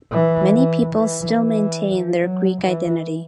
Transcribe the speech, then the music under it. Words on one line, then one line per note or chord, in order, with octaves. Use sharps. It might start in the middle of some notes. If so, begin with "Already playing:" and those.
Many people still maintain their Greek identity.
E3
E3
E3
E3
F#3
E3